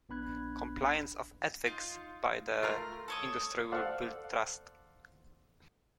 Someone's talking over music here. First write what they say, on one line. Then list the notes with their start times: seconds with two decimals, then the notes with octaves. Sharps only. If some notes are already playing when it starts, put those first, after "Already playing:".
Compliance of Ethics by the industry will build trust.
0.09 A#1 B3 D4 B5 F#6 G#6
1.67 D#4 F4
2.63 A3 F4 A#4 A#5 C6
3.08 A4 C#5 D#6
3.72 A4 C5 D5 F5 F#5